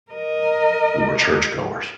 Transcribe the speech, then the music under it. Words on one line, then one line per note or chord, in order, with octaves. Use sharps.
we were churchgoers
A#4 D#5